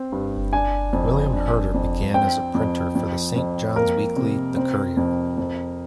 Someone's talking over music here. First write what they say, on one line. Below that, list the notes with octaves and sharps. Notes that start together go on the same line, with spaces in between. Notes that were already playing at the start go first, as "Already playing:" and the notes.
William Herder began as a printer for the Saint John's weekly "The Courier".
Already playing: C4
G2
D4 G#5
F2
D4
F2
C4 G5
F2
F2
F2
A#3 A#4
C3
C4
F2
F2